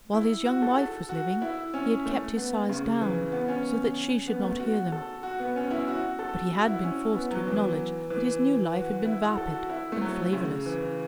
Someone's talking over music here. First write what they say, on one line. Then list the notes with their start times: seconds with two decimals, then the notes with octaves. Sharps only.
While his young wife was living he had kept his sighs down, so that she should not hear them; but he had been forced to acknowledge that his new life had been vapid and flavourless.
0.13 E4
0.45 F#4
0.62 A4
0.78 A4
1.09 F#4
1.42 E4
1.74 C#4
2.06 A3
2.36 B3
2.69 C#3
3.01 E3
3.32 B3
3.48 C#4
4.27 B3
4.44 A3
4.59 F#4
4.92 A4
5.23 F#4
5.39 B3
5.56 C#4
5.71 E4
5.88 F#4
6.03 F#4
6.19 A4
6.51 F#4
6.67 E4
6.83 C#4
7.14 B3
7.31 F#3
7.47 E3
8.10 E3
8.73 F#4
8.90 F#4
9.06 E4
9.21 F#4
9.37 A4
9.54 F#4
9.70 E4
9.92 A3
10.01 F#3
10.33 C#3
10.66 E3